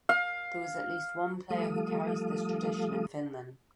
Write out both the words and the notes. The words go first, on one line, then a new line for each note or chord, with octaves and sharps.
There was at least one player who carries this tradition in Finlan.
F5
F3 G3 A3 A4 F5 D#6